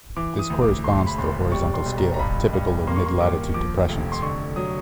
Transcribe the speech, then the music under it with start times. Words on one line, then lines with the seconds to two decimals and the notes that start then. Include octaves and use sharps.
This corresponds to the horizontal scale typical of mid-latitude depressions.
0.17 E3 D6
0.39 D#6
0.50 D2
0.62 D6
0.84 E1 C6
1.07 B5
1.18 E1 C6
1.52 G3 C#6
1.74 C6
1.86 B1
1.97 A#5
2.14 A#5
2.19 G2 B5
2.53 G2
2.87 A#3 C6
2.96 C#6
3.06 C6
3.21 D#2 D6
3.54 F3 D6
3.89 F1
4.12 C6
4.22 D3 C#6
4.56 F#3 D#6